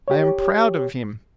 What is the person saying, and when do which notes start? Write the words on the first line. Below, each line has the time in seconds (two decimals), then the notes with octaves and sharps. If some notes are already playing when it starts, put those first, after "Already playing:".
I am proud of him.
0.08 G4 C#5